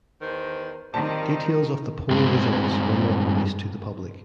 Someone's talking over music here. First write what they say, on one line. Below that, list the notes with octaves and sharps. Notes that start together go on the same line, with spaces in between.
Details of the poll results were not released to the public.
E2 D#3 C5
D#3 F3 G3 C4 A5
G2 G#3 C4